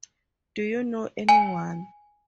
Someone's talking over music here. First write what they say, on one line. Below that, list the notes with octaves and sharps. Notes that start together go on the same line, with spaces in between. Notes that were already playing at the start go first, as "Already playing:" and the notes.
Do you know anyone?
G#5